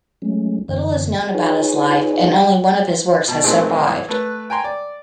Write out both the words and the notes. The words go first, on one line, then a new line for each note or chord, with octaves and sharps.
Little is known about his life and only one of his works has survived.
F#3 G#3 A3 C#4
F#2 D3 E3
D#4 F4 G#4 B4 C#5 G#5
B2 A5
A#2 D#3 G#3 A3 C4
E3 D#6
A3 B4
G5 G#5 A#5 C6
D5